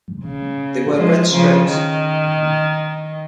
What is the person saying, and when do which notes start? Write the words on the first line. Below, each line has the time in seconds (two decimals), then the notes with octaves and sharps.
They wear red strips.
0.25 C#3
0.96 F3 G#3
1.32 C#3 F3
1.68 D#3